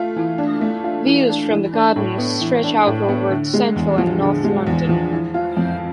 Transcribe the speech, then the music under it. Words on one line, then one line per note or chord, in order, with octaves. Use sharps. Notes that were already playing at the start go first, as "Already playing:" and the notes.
Views from the gardens stretch out over central and north London.
Already playing: A3 F4
E3
D4
A3
F4
E3
D4
E3
D4
A2
B3
E3
D4
A2
B3
D3
G#3
E2
F3
D3
G#3
E2
F3
E3
F4
F2